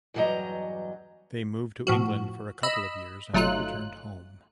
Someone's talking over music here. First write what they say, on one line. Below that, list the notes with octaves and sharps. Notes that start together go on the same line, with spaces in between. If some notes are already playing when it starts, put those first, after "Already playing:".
They moved to England for a couple of years and returned home.
E2 G2 F#3 G3 D#5 A#5
A2 F3 F#4
D#5 B5 E6
G1 F#3 A3 D#4 F4 F#6